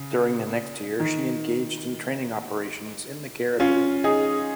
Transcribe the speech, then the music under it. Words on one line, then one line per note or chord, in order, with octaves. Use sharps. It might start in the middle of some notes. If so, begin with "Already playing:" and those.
During the next year she engaged in training operations in the Caribbean.
Already playing: C#3
D#3
C#4 F4
D#4 G#4